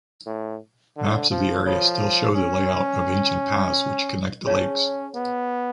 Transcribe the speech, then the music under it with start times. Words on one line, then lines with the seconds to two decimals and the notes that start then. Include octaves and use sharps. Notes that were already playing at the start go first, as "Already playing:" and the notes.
Maps of the area still show the layout of ancient paths which connect the lakes.
0.27 A2
0.97 D3
1.31 F3
1.66 F3 F4 A4 C#5
2.36 C#4
4.45 C#4 G#4 C#5 F5 A5
5.15 B3